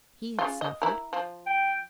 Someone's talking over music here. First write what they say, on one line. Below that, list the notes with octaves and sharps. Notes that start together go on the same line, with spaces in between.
He had suffered.
C#3 F4
D#5
E4 A#4
F3
G5